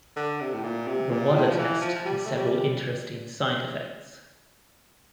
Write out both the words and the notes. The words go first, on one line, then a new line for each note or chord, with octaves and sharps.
The Wada test has several interesting side-effects.
D3
C3
A2
A#2
C3
A#2
A2
F3
E3
F3
F3
G3
A3
G3